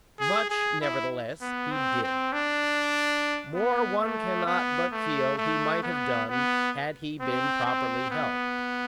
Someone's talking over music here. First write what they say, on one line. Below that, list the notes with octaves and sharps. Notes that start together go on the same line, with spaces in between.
Much, nevertheless, he did; more one cannot but feel he might have done had he been properly helped.
G#4
G#4
E4
B3
C4
C4
D4
B3
A3
B3
A3
A3
B3
B3
C4
C4
B3